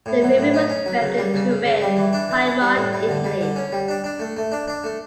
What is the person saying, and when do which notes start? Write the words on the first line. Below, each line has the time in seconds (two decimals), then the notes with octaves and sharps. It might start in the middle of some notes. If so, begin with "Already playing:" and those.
The movie was filmed in Turin, Piedmont, Italy.
0.06 A2
0.22 F#3
0.38 A2
0.54 C#4
0.70 C#4
0.86 F#3
1.02 C#3
1.18 G3
1.34 C#3
1.49 C#3
1.66 C#3
1.82 G3
1.97 E3
2.13 D4
2.29 E3
2.45 E3
2.61 G3
2.77 A2
2.93 G3
3.09 D3
3.24 G3
3.41 D3
3.56 C#4
3.72 G3
3.88 D4
4.04 D4
4.20 A3
4.37 A3
4.52 D4
4.68 D4
4.84 A3